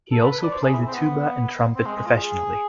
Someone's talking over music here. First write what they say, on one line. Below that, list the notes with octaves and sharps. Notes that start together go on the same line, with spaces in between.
He also played the tuba and trumpet professionally.
A4
B4
B4
D5
C5
G#4
E4
C4
B3
C4
G#3
G#3
F4
G#4